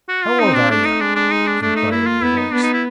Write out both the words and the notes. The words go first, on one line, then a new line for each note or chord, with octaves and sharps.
'How old are yer?' inquired the voice.
F#4
F4
C4 D#4
D4
A3 D4
D#4
G#3 D4
D4
D#4
D4
A3 D4
D#4
A#3 E4
F4
B3 E4
D#4
B3 D4
D#4
E4